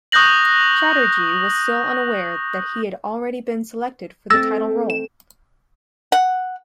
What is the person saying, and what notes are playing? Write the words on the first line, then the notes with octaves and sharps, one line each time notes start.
Chatterjee was still unaware that he had already been selected for the title role.
C#6 D#6 F#6 G6 A#6 F#7
A3 C4 E6 A6 A#6
E7
F#5